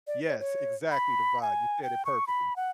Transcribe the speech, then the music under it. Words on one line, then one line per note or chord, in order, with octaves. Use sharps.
Yes, exactly the vibe, you said it perfectly.
D5
C#5
C#5
B5
G#5
G5
C#6
B5
F#5